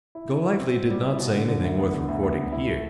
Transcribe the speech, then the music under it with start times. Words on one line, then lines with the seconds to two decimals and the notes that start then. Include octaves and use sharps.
Golightly did not say anything worth recording here.
0.15 E4
0.30 E4
0.45 E4
0.59 C4
0.74 B2
0.90 G3
1.05 E4
1.19 B2
1.34 D3
1.49 D3
1.63 D2
1.79 B3
1.94 D3
2.08 D2
2.23 B3
2.38 D2
2.52 E4
2.68 A3